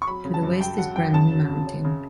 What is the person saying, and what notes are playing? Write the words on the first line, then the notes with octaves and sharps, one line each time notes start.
To the west is Brandon Mountain.
C#6
F#3 B5
C#3
A5
F#2
F#3 G5
F#3 F#5
F#2 G5
C#3 A5
F#3
C#3
C#4
C#3